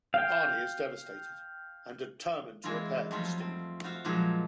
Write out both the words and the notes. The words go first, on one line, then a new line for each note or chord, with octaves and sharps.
Arnie is devastated and determined to repair Christine.
F5 G5
E3 G#3 C4 E4 F4
F2 F#3 G3 A3 F4
C4
F4 F#4 C5 E5 F5
F2 A#2 F3 F#3 G#3